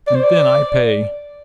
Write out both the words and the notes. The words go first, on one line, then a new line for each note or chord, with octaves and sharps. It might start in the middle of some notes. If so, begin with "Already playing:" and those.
And then I pay.
D5
C5
D5